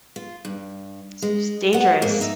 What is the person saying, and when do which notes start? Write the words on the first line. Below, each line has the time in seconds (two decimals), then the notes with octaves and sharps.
S dangerous.
0.16 F4
0.45 G2
1.22 G#3
1.73 B3 F#5
2.02 F2 G#2 A#3
2.21 D#4 E5